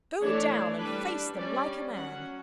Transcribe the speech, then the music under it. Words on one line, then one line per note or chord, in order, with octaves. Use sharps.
Go down and face them like a man.
E3 A3 D4 C#5
G3 D4 B4
G3 C#4 D5
F#3 C#4 F#5